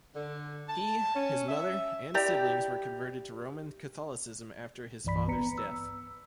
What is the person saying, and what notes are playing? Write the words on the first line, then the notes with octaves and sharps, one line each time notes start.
He, his mother and siblings were converted to Roman Catholicism after his father's death.
D3
A5
C#4
E5
E4 G4 D5 A#5
C2 G2 E3 D5 B5 B6
G#1 B3 B4 A#5 B6 C#7
E6